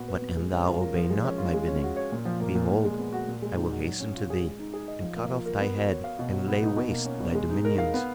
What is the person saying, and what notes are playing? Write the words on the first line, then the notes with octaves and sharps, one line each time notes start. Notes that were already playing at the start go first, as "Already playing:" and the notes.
But an thou obey not my bidding, behold, I will hasten to thee and cut off thy head and lay waste thy dominions.
Already playing: A#2 B3 F#4
B4
B3
G#3
C#4
F4
A#4
F3
G#3
C#4
F4
G#3
C#4
F#4
C#5
A#2
F3
A#3
A#2
A#2
G#3
B3
F#4
A#2
G#3
D#4
F#4
F#3
C#4
F4
G#4
G#3
D#4
G#4
D#5
F3
A#3
F4
A#4
B3
F#4
C#5
F5
B2
F#3
B3
D#4
B2
A#3
C#4
B2
G#3
D#4
A#4
F5
B3